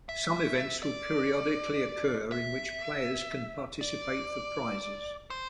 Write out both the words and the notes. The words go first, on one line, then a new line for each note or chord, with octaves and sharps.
Some events will periodically occur in which players can participate for prizes.
E5
D5
E5
D5
C5